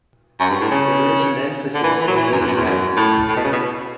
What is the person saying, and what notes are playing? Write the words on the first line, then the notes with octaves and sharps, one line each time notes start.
There is an emphasis on Reading Abbey.
F#2
G2
A2
C#3
D3
E3
E3
F#3
E3
F#2
E2
F#2
E2
F#2
A2
A2
B2
C#3
B2